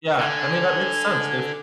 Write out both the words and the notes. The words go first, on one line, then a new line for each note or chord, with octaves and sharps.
Yeah, I mean, that makes sense, if
D3 G#5